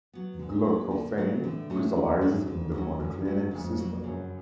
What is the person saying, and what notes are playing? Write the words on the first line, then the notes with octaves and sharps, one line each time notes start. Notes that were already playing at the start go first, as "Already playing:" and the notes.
Glaucophane crystallizes in the monoclinic system.
F#3 B3
A#2 D3
F#3 B3
D3
F#3 B3
A2 D3
F#3 A3 C#4 F#4
F2 D3
F#3 A3 C#4 F#4
F2 D3
F#3 A3 C#4 F#4
F#2 D3
F#3 A3 C#4 F#4
F2 C#3
F#3 A#3
F#2 C#3